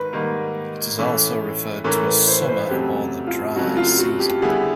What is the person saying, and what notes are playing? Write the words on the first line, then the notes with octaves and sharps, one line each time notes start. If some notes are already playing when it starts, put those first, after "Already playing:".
It is also referred to as Summer or the Dry Season.
Already playing: G#2 D#3 B4
G#2 D#3 G3 A#3
A2 E3 A3 C#4
A2 E3 A3 C#4 A#4
B4
C5
B4
C5
F2 C#3 F#3 A3 G4
F4
F2 C#3 F#3 A3 F#4
F4
F#4
G4
D3 G3 B3 E4 G4 G#4